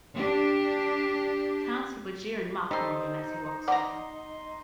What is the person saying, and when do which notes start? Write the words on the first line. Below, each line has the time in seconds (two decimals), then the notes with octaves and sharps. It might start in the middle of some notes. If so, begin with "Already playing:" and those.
Townspeople jeer and mock Morgan as he walks away.
0.13 D4 G4
2.71 G3 D#4 A4 C5 C6
3.68 D5 F#5 A#5 C6